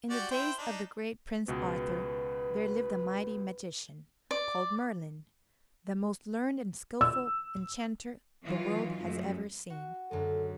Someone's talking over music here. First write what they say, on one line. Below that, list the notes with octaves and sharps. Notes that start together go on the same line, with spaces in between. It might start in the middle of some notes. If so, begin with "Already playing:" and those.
IN the days of the great Prince Arthur there lived a mighty magician, called Merlin, the most learned and skillful enchanter the world has ever seen.
F#4 G4 D5
E4 C5 G5
D4 D#4
C#2 B2 B4
D5
E6
E3 F#3 D#4 F4
F#2 G#3 A3
F#4
F#2 D3 G#3 A4